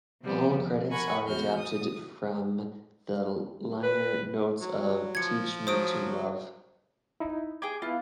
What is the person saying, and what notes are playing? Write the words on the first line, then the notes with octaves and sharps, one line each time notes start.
All credits are adapted from the liner notes of "Teach Me to Love".
C3 F3 G3 B3 C4
F2
A#4 F#5 G#5 B5 C#6 G#6
E2 F#4 F6 G6
E3 D#6
B4
F#3
F3 G#6 C#7
F#3 C5 D#6 D7
D#4 E4
G#4 G5 D6 G#6
B3 E4 F4 B4